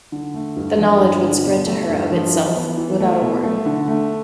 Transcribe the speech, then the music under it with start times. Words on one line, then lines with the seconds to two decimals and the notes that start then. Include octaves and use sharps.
The knowledge would spread to her of itself, without a word.
0.12 D3
0.34 A3
0.56 G2
0.79 F3
1.00 G2
1.22 D3
1.45 B2
1.66 A3
1.90 G2
2.12 F3
2.34 E3
2.56 B3
2.77 E3
3.00 A3
3.21 B2
3.43 A3
3.66 D3
3.88 A3